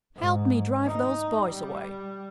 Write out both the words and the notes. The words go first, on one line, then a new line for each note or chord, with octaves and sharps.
"Help me drive those boys away."
G#2
D#4
G3